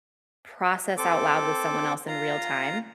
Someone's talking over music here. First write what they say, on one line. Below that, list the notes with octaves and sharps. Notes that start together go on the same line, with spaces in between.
process out loud with someone else in real time.
C4 A4 D6
F4 A#5